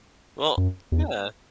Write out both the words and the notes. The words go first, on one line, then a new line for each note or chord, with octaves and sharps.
Well Yeah.
F#2
E2